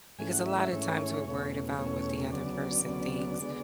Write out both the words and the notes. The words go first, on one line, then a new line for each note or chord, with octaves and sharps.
because a lot of times, we're worried about what the other person thinks
G#2 E3 A3 C#4 G#5
F#5
E5
E5
G#2 E3 A3 C#4 C#5
E2 B2 A3 C#4
E2 B2 A3 C#4 C#5
D2 C#3 F#3 B3 D5
D2 C#3 F#3 B3
D3 G#3 B3